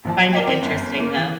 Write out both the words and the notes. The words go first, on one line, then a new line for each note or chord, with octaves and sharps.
I find it interesting, though.
A#1 F3 A5
A#4 D5 D#5 G5
C4
G1 F#2
A#3 C#4
E3